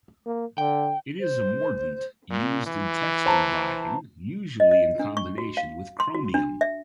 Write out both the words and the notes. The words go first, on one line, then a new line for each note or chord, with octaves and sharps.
It is a mordant used in textile dyeing, usually in combination with chromium.
A#3
D3 G5
C5
A#2
E3
C5 A5 A#5
D#5
D#5
D4
C#6
F#4
F5
C6
F#4
D4
E5